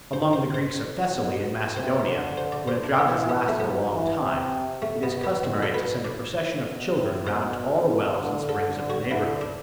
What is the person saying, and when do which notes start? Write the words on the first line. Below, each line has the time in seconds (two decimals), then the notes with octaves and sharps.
Among the Greeks of Thessaly and Macedonia, when a drought has lasted a long time, it is customary to send a procession of children round to all the wells and springs of the neighbourhood.
0.13 C5
0.33 C5
0.54 C5
1.15 B2
1.46 B2
1.76 C3 C5
2.06 D3
2.37 C5
2.52 D5
2.68 C5
2.84 D4
2.98 E3 B3
3.29 B3
3.48 A3
3.60 F#3 B3
3.90 E3
4.21 C3
4.82 B2 A3
5.03 B3
5.24 B3
5.43 C4
5.63 A4
5.74 B4
6.04 D5
6.66 B2
6.97 A2
7.27 B2 C5
7.89 B2
8.18 D3
8.49 D3 A4
8.90 F#4
9.11 D3 E4
9.41 D4